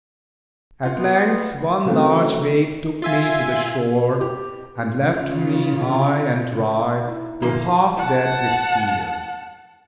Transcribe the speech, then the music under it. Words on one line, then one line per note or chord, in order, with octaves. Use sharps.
At length one large wave took me to the shore, and left me high and dry, though half dead with fear.
C#4 F4 F#5
B3
C#3 F3 F#3 A3 B3 C4
F4 E5 G#5
G4
C#3 F4
D#4 E4
D3 F3 A#3
F#5 A5